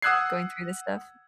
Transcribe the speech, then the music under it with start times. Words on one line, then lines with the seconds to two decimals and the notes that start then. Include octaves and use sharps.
going through this stuff?
0.02 F#5 D#6 E6 F#6 G#6 C7